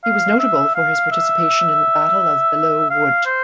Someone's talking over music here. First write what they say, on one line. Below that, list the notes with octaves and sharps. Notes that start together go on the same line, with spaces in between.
He was notable for his participation in the Battle of Belleau Wood.
F5
E5
F5
E5
F5
C5